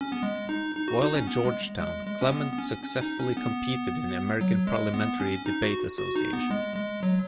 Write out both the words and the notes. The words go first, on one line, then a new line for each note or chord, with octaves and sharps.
While at Georgetown, Clement successfully competed in the American Parliamentary Debate Association.
C#4
B3
G#3
D#4
D#4
F#4
D#4
C#4
B3
G#3
G#3
G#3
C#4
B3
B3
C#4
C#4
D#4
C#4
B3
F#3
G#3
B3
C#4
D#4
F#4
F#4
D#4
B3
G#3
G#3
F#3